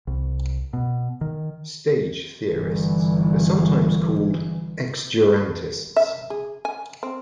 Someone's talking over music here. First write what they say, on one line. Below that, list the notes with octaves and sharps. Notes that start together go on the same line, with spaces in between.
Stage theorists are sometimes called "exdurantists".
C2
B2
D#3
G1 E3
E5
G#4
G#5
C4